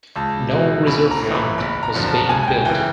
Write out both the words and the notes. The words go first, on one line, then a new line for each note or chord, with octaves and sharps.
No "Reserve Fund" was being built.
C#2 A5
B2
A#1 B5
A#5
A2 E3
B5
F#1 B5
A#5
F#2 D3 F3
A5
C#2 G#5
G#5
G5
C#3 E3 G5